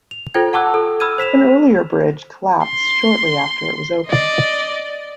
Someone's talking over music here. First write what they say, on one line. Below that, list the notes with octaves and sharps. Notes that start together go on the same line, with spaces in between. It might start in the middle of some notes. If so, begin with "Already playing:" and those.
An earlier bridge collapsed shortly after it opened.
F7
F4 A4 C5 G5 G#6
F#5 A5 C#6 D6 E6 F#6
A4
B5 E6 F6 G#6 D#7
C5 B6 E7 F7
C6
D5 D#5